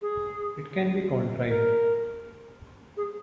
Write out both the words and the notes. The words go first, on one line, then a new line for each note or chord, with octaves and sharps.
It can be contrived.
G#4
A#4
G#4